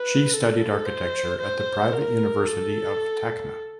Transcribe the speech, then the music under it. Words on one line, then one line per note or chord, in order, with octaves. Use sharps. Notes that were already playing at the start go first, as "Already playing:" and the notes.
She studied architecture at the Private University of Tacna.
Already playing: B4
A4
C5
C5
A#4
A4